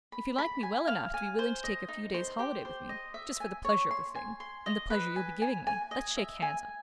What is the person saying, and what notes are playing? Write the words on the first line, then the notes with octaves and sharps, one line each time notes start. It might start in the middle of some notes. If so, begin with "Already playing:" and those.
If you like me well enough to be willing to take a few days' holiday with me, just for the pleasure of the thing, and the pleasure you'll be giving me, let's shake hands on it.
B5
B5
G#5
F5
G#5
C5
D#5
D#4
C5
G4
C5
D#5
E5
G#5
C#5
C6
G#5
C6
D#5
B4
G#5
G#5
G#5
D#5
E5
G#5